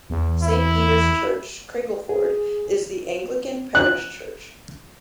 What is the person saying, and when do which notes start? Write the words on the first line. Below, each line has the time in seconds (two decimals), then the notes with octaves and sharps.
Saint Peter's Church, Cringleford is the Anglican parish church.
0.10 E2
0.43 E4
2.09 G#4
3.75 F#6